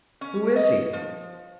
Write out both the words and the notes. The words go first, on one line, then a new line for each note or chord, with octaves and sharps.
Who is he?
C#4
D#5
F3